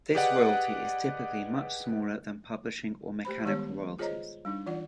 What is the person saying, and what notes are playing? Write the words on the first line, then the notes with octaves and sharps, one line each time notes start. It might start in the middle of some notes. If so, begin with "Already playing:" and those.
This royalty is typically much smaller than publishing or mechanical royalties.
G4 G#4 B4 D5 D#5 F#5
A3 G4 C5 B5
D#3 G3 G#3 B3 G4 C#5
F4 G#4 C5 C#5 D#5 A#5
G3 D4 D#4
E3 F4 D5 F#5